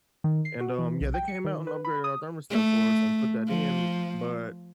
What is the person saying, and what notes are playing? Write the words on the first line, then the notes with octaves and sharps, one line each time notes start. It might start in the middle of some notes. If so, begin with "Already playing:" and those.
and, um, yeah, they came out and upgraded our thermostat for us and put that in, but,
D#3
C7
F#4
E3
B1
G5
C#7
D#3
B4
B5
D#6
A3
F3